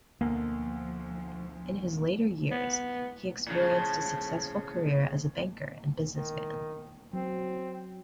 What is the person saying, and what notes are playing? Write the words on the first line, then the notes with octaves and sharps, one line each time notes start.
In his later years, he experienced a successful career as a banker and businessman.
D2 B2 F3 A#3
B3
A2 C#3 F3
D#3
F#3 C4